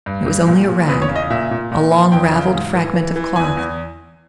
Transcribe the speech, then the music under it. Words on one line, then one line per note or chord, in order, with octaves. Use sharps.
It was only a rag, a long, raveled fragment of cloth.
G2
G2
A#2
A#2
E2 B4
C#5
C#3
D#5
A#2 E5
A#2
A#2
A#2
E2 G5
C#3
G#2
E3
E3
E3
E2 G#5
E2